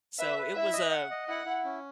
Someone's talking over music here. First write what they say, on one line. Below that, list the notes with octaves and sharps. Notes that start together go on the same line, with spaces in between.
So it was a
B4 E5
B4
E4 E5
D#5
F#5
D#5
E4 F#5
E4
C#4